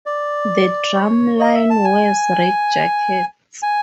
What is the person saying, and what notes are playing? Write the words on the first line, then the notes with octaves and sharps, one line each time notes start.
The drum line wears red jackets.
D5
C#5
D#5
E5
A5
G#5
G#5